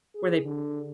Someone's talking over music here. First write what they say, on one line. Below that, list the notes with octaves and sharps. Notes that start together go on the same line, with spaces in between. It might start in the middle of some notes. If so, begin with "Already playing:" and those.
Where they
G#4
D3